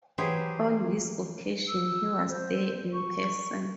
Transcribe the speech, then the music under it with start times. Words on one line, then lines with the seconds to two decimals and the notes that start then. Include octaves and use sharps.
On this occasion he was there in person.
0.18 E3 F#3 G4 G#4 C5
1.68 E6
2.29 C5
2.93 C#6